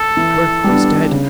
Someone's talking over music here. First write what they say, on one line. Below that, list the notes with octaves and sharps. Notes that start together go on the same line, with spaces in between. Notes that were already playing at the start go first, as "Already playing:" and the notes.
Burke was dead!
Already playing: A4
E3
G3 B3 D4
C#3